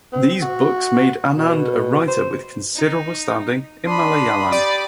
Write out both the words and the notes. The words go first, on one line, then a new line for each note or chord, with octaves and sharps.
These books made Anand a writer with considerable standing in Malayalam.
C4
F#4
B2
C5
D#4
D4 B5 C6 D#6
G4 D5